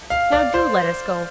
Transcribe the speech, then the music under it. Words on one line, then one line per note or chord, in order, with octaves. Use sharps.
Now DO let us go.
F5
D5
C5